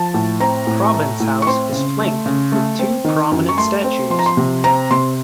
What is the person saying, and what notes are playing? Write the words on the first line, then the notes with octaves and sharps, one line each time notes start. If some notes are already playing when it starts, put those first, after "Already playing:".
Province House is flanked with two prominent statues.
Already playing: F3 A5
A2
C4 A#5
A2
A3
A2
C#6
C4 C6
C#3
A3
C#3
A3
C4
D#3
F#2
C#6
A3 C6
C4
F3 C6
A#5
C6
C3
C4 A#5
C3 C6